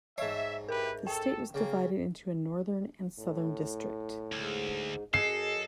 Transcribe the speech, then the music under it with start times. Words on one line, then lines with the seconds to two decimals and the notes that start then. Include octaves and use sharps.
The state was divided into a Northern and Southern district.
0.18 G#2 C#5 D#5 E5
0.69 E4 G4 A#4 B4
1.07 A4 G5
1.54 C#3 A#3
3.19 A2
4.32 D2 G#2
5.14 F#2 G#4 A4 D#5 C7